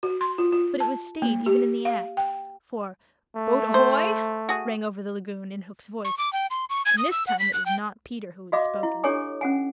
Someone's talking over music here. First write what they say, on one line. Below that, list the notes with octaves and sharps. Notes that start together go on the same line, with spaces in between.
But it was stayed even in the act, for "Boat ahoy!" rang over the lagoon in Hook's voice, and this time it was not Peter who had spoken.
F#4
C6
F4
F4
A5
A#3
G4
F5
G5
A3
C5
F#4 G#4
C#6
D6
G5
C6
C#6
G#6
D#6
E6
F#5
B6
F#6
G5
F#4 D#5 F5 D6
E4
D4 G4 A4 C#5 G#5 D6
C#4 F#5 G#5